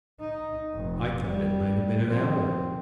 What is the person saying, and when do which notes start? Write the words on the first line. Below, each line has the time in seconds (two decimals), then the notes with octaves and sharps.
I thought it might have been an owl.
0.20 D#4
0.73 F1
1.27 G3
2.03 F3 C4